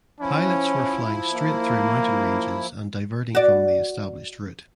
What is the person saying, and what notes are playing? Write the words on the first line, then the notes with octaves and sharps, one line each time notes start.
Pilots were flying straight through mountain ranges and diverting from the established route.
F3 C#4 E4
A#3
F#4 D5